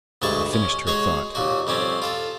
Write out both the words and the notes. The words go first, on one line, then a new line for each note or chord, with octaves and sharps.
He finished her thought.
D2 G2 G#3 A5 C#6
C#4
G#3 F#4 G#4 C#5
D#2 A#2 F#4
F2 G3 C4 C#4
F4 A4